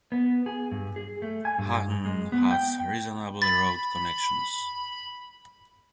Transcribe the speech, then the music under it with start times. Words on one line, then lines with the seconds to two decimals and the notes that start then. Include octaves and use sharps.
Hahn has reasonable road connections.
0.12 B3
0.46 G#4
0.72 G2
0.96 G#4
1.22 A3
1.45 G#5
1.59 G2
2.05 G#3
2.32 B3
2.51 G5
3.42 B5 A6